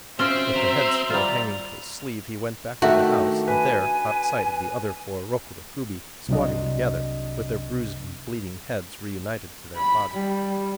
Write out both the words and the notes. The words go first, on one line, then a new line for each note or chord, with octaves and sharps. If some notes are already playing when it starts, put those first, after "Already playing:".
With the head still hanging to his sleeve he went back to the house, and there caught sight of the other four Rokuro-Kubi squatting together, with their bruised and bleeding heads reunited to their bodies.
C4 C#4 F4 F#4 C5 E5
F#3 A#5
G3 F4 D5 A#5
D#3 A3 D4 F#4 E5 A5
B4 G#5
C2 C3 F#3 D4 D#5
B5
G3